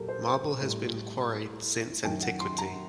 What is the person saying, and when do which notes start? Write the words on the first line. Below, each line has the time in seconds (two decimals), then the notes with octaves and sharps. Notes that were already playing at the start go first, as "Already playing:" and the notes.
Marble has been quarried since antiquity.
Already playing: A#2 F#3 G4 A4 A#4
0.08 C5
0.27 C5
0.62 A2 G3
2.05 F#2 D#3 F#3 G5
2.22 F#5
2.41 C6
2.58 A#5